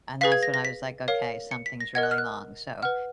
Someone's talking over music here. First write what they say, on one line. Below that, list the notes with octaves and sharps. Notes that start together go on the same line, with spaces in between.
And that's when I was like, "Okay, something's really long," so
G#4 B4 F5 B6
G#6
A#6
A#6
B6
A#4 C#5 F5
C#7
B6
A#6
A#4 D#5 F#5 G#6
F#6
F6
F#6
B4 F#5 F6